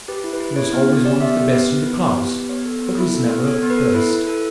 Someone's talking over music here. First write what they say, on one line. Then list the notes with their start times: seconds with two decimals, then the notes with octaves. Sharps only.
He was always one of the best in the class but was never first.
0.08 G4 B4
0.24 E4
0.33 B4
0.40 E4
0.56 E4 C#5
0.73 B3
0.89 B3
1.05 G4 D5
1.20 B3 E5
1.37 G4
1.53 B3 B4
1.69 B3
1.86 E4
2.01 B3
2.17 G4
2.33 B3
2.49 B3 C#5
2.65 A4
2.82 B3
2.98 E4
3.14 A4
3.30 B3
3.46 A4 C#5
3.63 B3
3.70 B4
3.78 A4
3.95 E4 B4
4.11 E4
4.27 A4